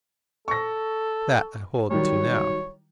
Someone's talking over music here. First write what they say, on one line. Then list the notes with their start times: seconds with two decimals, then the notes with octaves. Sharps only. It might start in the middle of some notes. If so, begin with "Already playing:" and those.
That I hold to now.
0.48 A4 C#6 A#6
1.90 D#3 F#3 G3 C#5